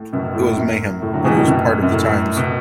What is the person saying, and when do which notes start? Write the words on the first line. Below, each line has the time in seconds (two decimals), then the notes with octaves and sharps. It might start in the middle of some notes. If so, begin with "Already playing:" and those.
It was mayhem, but it was part of the times.
Already playing: A2
0.13 F#2 B2
0.35 A2
0.57 F#2
1.02 A2
1.13 D3 F#3
1.24 B2 E3
1.36 A2 D3
1.47 F#2 B2
1.82 F#2
1.91 A2
2.37 B2